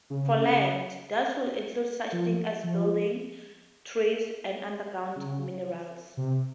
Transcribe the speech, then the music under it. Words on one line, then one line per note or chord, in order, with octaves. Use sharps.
For land, that would include such things as buildings, trees, and underground minerals.
C#3
F3
F3
C#3
C3